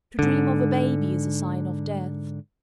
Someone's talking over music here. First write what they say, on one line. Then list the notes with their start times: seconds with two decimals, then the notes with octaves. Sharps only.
To dream of a baby is a sign of death.
0.19 G#2 D3